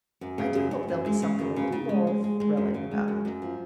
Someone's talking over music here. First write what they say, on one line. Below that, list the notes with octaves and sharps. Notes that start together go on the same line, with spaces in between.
I do hope there'll be something a little more thrilling about it.
F#2
C#3
F#2
F#2
F#2
G#3
C#3
F#2
C#3
C#3
G#3
G#3
G#3
G#3
F#2
C#3
G#3
F#2
F#2
F3